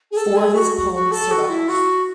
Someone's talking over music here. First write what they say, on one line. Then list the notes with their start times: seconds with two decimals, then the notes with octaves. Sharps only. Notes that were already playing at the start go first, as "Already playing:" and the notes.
Four of his poems survive.
0.11 G#4
0.16 A4
0.36 G#4
0.54 F#4
0.74 F#4
0.93 F#4
1.11 A4
1.31 F#4
1.49 E4
1.68 F#4